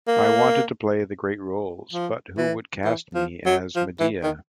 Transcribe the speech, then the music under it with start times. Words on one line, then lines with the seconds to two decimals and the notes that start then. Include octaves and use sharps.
I wanted to play the great roles but who would cast me as Medea?
0.08 A#3
1.93 F3
2.38 E3
2.85 E3
3.15 F3
3.46 F#3
3.76 F3
4.00 E3
4.23 D#3